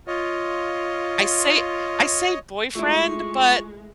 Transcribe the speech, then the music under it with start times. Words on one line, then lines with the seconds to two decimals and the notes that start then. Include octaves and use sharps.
I say I say boyfriend, but
0.08 F4 C#5 D#5
2.75 G#3 A3 E4 F4 C#6